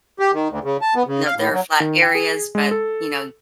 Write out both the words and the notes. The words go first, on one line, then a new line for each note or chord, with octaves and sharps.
you know, there are flat areas, but, you know
G4
D#3
D2
C#3
A5
B3
C#3
F5
A2
F#3
D#3
G5
G#4
G#3
A4